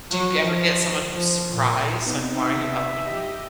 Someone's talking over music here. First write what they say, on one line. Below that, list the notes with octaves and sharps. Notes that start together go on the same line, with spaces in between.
Do you ever get someone who's surprised? Like, "Why are you helping me?"
F#3
F3
F3
A#2
C3 B3 D#4
E5
G4 D#5